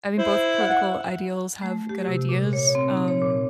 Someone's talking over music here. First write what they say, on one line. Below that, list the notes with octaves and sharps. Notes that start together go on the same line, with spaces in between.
I mean, both political ideals have good ideas, um,
E4 C5
F#5
A3
G4
C3
A#2
C#5
C4
D#4
C#5
A#2